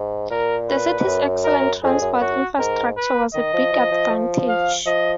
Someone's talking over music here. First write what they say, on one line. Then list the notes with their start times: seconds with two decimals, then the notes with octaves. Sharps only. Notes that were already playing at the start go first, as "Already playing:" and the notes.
The city's excellent transport infrastructure was a big advantage.
Already playing: G#2
0.31 A#2 A#4
0.69 B4
1.00 G#2
1.07 F#2
1.44 A#4
1.83 F2 G#4
2.02 F#2
2.20 F#2 F#4
2.59 G#2 A#4
2.97 B4
3.34 D#3 D#5
3.54 F3
3.73 F3
3.92 F3
4.10 F3
4.49 F5
4.86 F3 D#5